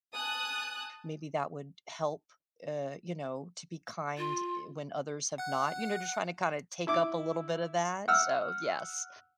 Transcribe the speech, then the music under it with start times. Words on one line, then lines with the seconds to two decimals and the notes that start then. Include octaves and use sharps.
maybe that would help, uh, you know, to be kind, eh, when others have not, you know? Just trying to, kinda take up a little bit of that, so yes,
0.15 G#5 A5 D#6 F#6
4.17 F4
5.38 F#5 F#6
6.87 E4 D6
8.08 F#5 E6 F6